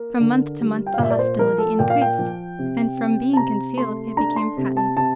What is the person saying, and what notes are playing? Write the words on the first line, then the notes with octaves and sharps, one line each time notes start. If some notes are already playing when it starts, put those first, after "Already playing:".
From month to month the hostility increased, and from being concealed it became patent.
Already playing: A#3 A#4
D3
G3
G5
F5
A#2 E5
D5
C5
F3 A#4
A4
A#2 G5
F5
G5
F3
C3
C4
A5
C3 A#5
A3 C6
D4 A#5
C6
C3
A5
C3 A5